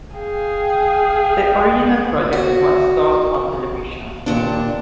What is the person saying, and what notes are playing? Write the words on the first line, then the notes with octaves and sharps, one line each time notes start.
The original project was sold on television.
G#4 F5 G5
F#4
D#2 A#2 D4